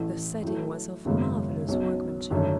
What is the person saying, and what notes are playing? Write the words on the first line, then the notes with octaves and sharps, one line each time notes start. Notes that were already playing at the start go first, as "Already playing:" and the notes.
The setting was of marvelous workmanship.
Already playing: A1 A2 E3 A3
A2 F#3 A3
G#1 F#2 C#3 G#3 B3
B1 B2 F#3 C#4
G#1 F#2 D3 A3 C#4